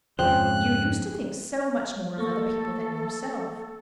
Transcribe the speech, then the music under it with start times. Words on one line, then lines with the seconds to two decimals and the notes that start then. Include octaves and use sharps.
"You used to think so much more of other people than yourself."
0.19 F2 G#2 C#3 F3 C5 G5 F#6
2.18 A3 A#3 A4 C#6